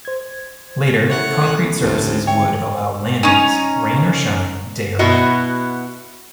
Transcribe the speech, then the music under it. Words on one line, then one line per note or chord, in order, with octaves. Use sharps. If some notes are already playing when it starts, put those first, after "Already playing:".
Later, concrete surfaces would allow landings, rain or shine, day or night.
C5 G#6
A3 C#4 E4 C#5 F#5 F#6
D2 A2 C4 G4 C5 A5
D3 E3 C4 C#5 E5 G5
C#4 D#4 G#5 C#6
B2 B3 E4 F#4 D#5